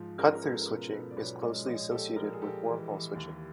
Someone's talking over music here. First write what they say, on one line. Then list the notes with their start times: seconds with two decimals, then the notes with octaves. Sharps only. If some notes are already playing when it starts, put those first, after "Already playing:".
Cut-through switching is closely associated with wormhole switching.
Already playing: G#2 F3
0.18 C#4 G#4 A#4
0.35 A#4
0.43 G#3 A4 B4
0.62 A#4
0.67 B2 A4 B4
0.92 B2 A4 B4
1.11 D5
1.17 B1 B4 C#5
1.41 G#3 C#5 D#5
1.67 A#1 C#5 D#5
1.91 A#1 G4 A4
2.16 A#1 A#4
2.24 A4
2.33 G#4
2.41 A#1 G4 A4
2.65 E3
2.90 E3
3.15 D#2